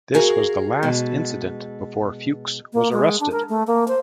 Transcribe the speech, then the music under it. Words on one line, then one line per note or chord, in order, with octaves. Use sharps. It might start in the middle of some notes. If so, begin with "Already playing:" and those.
This was the last incident before Fuchs was arrested.
F#4 G#4 A#4 F5
B2 G#3 A4 B4
A#3
G#3
D4
A#4
A3
A#3
C5